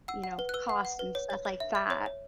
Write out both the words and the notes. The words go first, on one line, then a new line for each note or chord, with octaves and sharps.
you know, cost and stuff like that.
F#5 E6
F#5
B4
F#6
B4 E6
F#5
F#5
B4
C#5
C#5
C#5
E5
E5
C#5
C#5